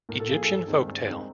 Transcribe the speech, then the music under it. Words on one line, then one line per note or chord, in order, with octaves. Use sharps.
Egyptian folk tale.
A2 A#4
A4
F3 A#3 G#4
G2 A4
D#3 G#3 C4 D#4
G2
D#3 G#3 C4 D#4